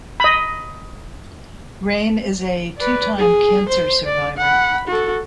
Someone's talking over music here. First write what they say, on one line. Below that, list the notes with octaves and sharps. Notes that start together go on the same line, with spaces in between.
Rehn is a two-time cancer survivor.
D#5 B5
B4 D5
G#4
C5
D5
F#5 B5
F#4 A4